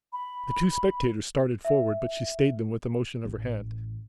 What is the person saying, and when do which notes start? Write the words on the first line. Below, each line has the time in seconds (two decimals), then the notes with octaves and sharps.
The two spectators started forward, but she stayed them with a motion of her hand.
0.13 B5
1.65 E5
3.25 A1